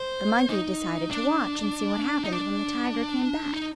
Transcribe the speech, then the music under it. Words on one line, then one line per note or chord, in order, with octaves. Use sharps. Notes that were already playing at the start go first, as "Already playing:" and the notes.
The monkey decided to watch and see what happened when the tiger came back.
Already playing: C5
D#4
D4
D#4
D4
D#4